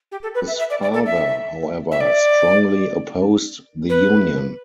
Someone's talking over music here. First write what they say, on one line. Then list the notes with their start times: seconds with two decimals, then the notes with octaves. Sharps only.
His father, however, strongly opposed the union.
0.12 G4
0.23 A4
0.35 B4
0.47 E5
0.59 E5
0.70 D5
0.82 D5
0.94 A4
1.06 E5
1.91 E5
2.00 D5
3.89 B4